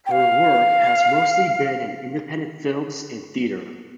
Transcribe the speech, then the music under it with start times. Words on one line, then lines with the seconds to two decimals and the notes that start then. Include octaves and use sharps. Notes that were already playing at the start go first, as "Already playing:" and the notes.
Her work has mostly been in independent films and theater.
0.06 G5
0.11 F5